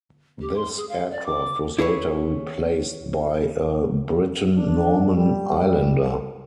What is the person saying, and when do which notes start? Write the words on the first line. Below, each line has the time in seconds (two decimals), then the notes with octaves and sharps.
This aircraft was later replaced by a Britten-Norman Islander.
0.41 G4
0.56 C6
0.76 G#4
0.89 F5
1.11 D5
1.26 D6
1.78 E4 G#4 B4 C#5
4.57 D4
5.15 G3